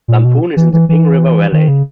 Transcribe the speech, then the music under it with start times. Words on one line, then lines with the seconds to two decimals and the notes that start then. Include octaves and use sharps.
Lamphun is in the Ping River valley.
0.08 A#2
0.25 B2
0.57 E3
0.73 E3
0.89 E3
1.52 D#3
1.68 C#3